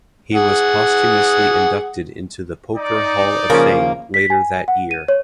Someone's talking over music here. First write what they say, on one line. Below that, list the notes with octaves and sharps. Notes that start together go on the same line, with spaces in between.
He was posthumously inducted into the Poker Hall of Fame later that year.
G#4 F#5
D#4 D5
C#3 F3 A#3 C#4 A#4
B6
G#5
F#5
D#7
C#5